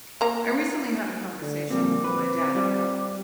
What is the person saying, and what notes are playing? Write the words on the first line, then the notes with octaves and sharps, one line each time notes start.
I recently had a conversation with my dad about it.
A#3 A#5
D3
A#2 F3 G3 C4 D6
C4 B4
G3 F4